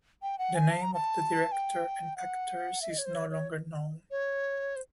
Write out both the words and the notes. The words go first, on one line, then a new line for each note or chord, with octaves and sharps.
The name of the director and actors is no longer known.
G5
F#5
G#5
A5
A#5
A5
G5
F#5
E5
D#5
C#5
C5
C#5
C#5
C#5
C5